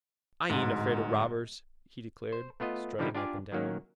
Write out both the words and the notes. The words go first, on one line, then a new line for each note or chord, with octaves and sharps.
"I ain't afraid of robbers," he declared, strutting up and down.
D1 G#2
C5
A3 B3 F4 D#5
B2 D3 F3 G3 D#4 E4
D4 F4 G4 D5 F5 G#5
D#3 F#3 A#3 C#4